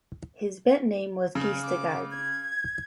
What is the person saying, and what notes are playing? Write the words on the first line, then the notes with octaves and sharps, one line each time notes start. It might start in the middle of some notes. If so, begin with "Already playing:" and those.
His bentname was "Geestigheid".
C#3
D6
G#6